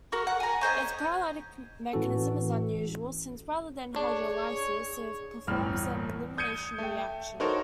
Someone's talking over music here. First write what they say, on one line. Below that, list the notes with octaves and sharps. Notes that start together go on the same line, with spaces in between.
Its proteolytic mechanism is unusual since, rather than hydrolysis, it performs an elimination reaction.
F#4 A#4 C#6
F#5
G#5 A#5
C#4 C5 D#5 G#5
A2 E3 C#4 F#4 A4
D4 G#4 C#5
G1 E2 A2 F6
D#6 G6 G#6 C#7 D#7
A3 G5
D#4 F#4 A4 A#4 C5 C#5